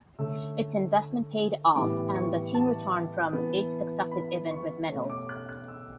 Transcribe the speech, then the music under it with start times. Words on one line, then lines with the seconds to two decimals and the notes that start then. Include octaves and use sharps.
Its investment paid off and the team returned from each successive event with medals.
0.19 D3 A3 C#4 E6
1.76 A2 E3 G3 B3 D6
2.15 C#6
2.54 A5
3.33 E3 B3
4.11 B5
4.51 C#6
4.89 B2 A3 C#4
5.10 D6
5.29 F#6
5.49 F#6
5.68 E6